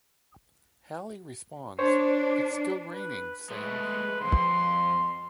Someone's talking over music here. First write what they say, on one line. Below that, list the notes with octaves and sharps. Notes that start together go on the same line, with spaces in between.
Hally responds It's still raining, Sam.
D4 C5 C#5
B4
G#3 A3 B4
F2 G#2 C6